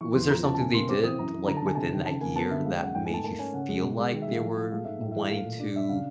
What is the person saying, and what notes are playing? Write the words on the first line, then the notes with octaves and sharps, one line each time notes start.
was there something they did, like, within that year that made you feel like they were wanting to
E3 C#6
E2 C6
F3 A#5
C#3 A5
A5
B2 G#5
A#3 C6
C4 D6
E3 D#6
F#2 A#5
F#2
D3 A#5
A5
D3 G#5
C3 A5
D#3
C#3 A5
A#3 G#5
B3 A5
D3 E5
G#3 F5
F#2 F#5
G#2 G5
G#5
A3 A5
A#3 A5
C#4 G#5
C#3 F#5
G#3
B2
G#3
D#3
E5
G#3 F5
F3 F5
A3 F5
G#3 F5
G#2 E5
A2
E5
E3
A3 F5
A#2
D4
D4 E5
C#3 F5